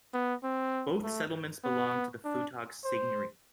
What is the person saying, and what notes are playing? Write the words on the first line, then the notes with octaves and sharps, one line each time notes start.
Both settlements belonged to the Futog seigniory.
B3
C4
A3
B3
D4
C5